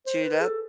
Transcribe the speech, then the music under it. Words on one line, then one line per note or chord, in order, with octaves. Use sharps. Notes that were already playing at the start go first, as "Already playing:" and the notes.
Chewed up.
C5
B4
G#4
A4